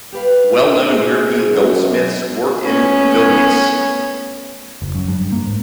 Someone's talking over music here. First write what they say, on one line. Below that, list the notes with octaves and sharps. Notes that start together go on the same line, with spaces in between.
Well known European goldsmiths worked in Vilnius.
G4 B4 F5
G#4
F#2
A3 B3 C#4
F#1
F#2
G2
A#3
G#2